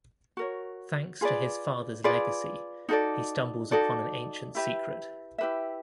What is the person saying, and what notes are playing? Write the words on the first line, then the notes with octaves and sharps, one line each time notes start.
Thanks to his father's legacy he stumbles upon an ancient secret.
F#4 A#4 C#5
F4 G#4 B4 D5
F4 G#4 B4 D5
D#4 F#4 A4 D5
D#4 F#4 A4 D5
E4 G4 B4 E5
E4 G4 B4 E5